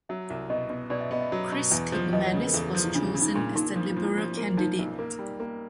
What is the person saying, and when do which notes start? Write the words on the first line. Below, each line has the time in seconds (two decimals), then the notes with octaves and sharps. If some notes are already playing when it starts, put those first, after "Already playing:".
Chris Kibermannis was chosen as the Liberal candidate.
0.09 F#3 E5
0.30 C2
0.50 B2 D#5
0.70 B2
0.90 B2 D5
1.01 E5
1.11 B3 D#5
1.21 E5
1.32 F#3
1.52 B2
1.72 E2
1.92 F3
2.13 E2 D#5
2.27 C#5
2.34 C#3
2.40 B4
2.47 A#4
2.54 E2 A4
2.64 G#4
2.75 F3
2.85 E4
2.95 C#3 D4
3.15 C#3
3.22 D#4
3.35 A#2 D4
3.56 A#2 D#4
3.76 F3 F4
3.90 F4
3.96 F3
4.04 E4
4.18 F3
4.37 A#3
4.57 F3 D#4
4.79 B1
4.99 A#3
5.19 G3
5.40 A#3